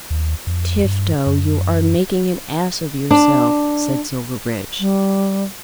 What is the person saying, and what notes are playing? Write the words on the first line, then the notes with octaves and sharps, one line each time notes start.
"Tifto, you are making an ass of yourself," said Silverbridge.
D#2
F2
G2
F#2
D4
G3